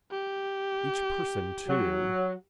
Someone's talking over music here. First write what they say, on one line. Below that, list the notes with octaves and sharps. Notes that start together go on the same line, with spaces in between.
Each person too.
G4
F#3